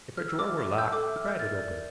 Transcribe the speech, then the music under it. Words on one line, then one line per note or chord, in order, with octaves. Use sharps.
If a drawer were locked, he pried it open.
A4 F6
G5 E6
D6 F6
E5
A4
E5 E6 G6
A4 D6
E5 E6
F6
E5 G6
A#4 F6 A6
D5
A#4